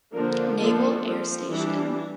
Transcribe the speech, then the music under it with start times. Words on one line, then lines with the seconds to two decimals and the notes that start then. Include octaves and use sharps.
Naval Air Station.
0.14 D3 F3 A#3 D4 A#4
0.59 F3 A#3 D4 A4
1.05 F3 C4
1.51 E3 G3 D4